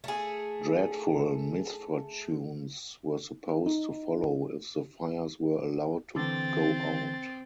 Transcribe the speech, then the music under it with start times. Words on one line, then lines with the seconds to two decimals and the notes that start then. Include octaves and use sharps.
Dreadful misfortunes were supposed to follow if the fires were allowed to go out.
0.04 A3 G#4
3.66 D#4
6.16 D3 E3 C4 A6